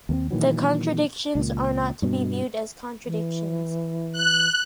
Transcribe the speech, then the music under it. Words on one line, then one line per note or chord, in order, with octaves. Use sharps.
The contradictions are not to be viewed as contradictions.
D#2 A#3 C4
A#2 D#3 E3 F#3
C#2 A#2
G2 B2
E3
F#6